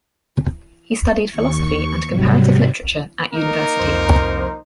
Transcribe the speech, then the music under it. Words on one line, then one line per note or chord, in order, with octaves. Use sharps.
He studied philosophy and comparative literature at university.
D#2 C#6
G#2 C3 F#3 G3
A#3 D#4 A#4
C2 F2 C5